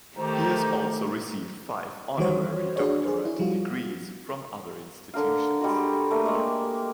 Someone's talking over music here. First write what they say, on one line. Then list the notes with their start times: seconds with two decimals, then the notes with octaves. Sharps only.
He has also received five honorary Doctorate degrees from other institutions.
0.16 D#3 A3 G4 C5 A#5
2.18 D#3 E3 G3 F#4 C5 C#5
2.76 D4 F#4 G#4 C#5 D5
3.06 G#4 C5
3.25 E4
3.39 F3 G3 F4 F#4
5.14 D3 A#4 F5
5.61 G3 G#3 F#4
6.11 A3 A#3
6.26 G#3 A#3 G4